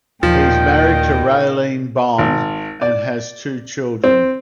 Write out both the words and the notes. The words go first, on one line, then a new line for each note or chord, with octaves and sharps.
He is married to Raylene Bohn and has two children.
D#2 A#2 D#3 F3 G5
G#1
D5
C4